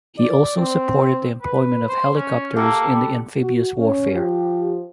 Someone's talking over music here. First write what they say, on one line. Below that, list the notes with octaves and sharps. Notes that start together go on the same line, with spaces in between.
He also supported the employment of helicopters in the Amphibious Warfare.
D5
C4
B4
C5
C#4
A#3 G4 A4 F#5
G3
F#4
C#4
F3 G4